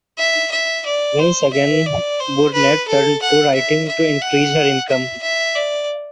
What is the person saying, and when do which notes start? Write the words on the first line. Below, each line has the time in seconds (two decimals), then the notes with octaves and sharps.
Once again Burnett turned to writing to increase her income.
0.18 E5
0.52 E5
0.86 D5
1.19 C5
1.53 E5
1.86 D5
2.20 C5
2.54 B4
2.87 A4
3.22 F#5
3.55 E5
3.88 E5
4.21 F#5
4.89 E5
5.23 E5
5.56 D5